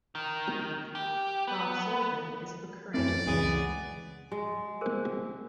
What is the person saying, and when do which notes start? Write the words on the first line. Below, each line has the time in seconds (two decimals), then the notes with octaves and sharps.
Bob Sullivan is the current mayor.
0.15 D#3
0.95 G4
1.47 B3
2.94 F#2 E3 A3 C4 C#4 D5
3.27 C#2 E3 B3 G#4
4.32 G#3
4.81 G#4 A#4 C5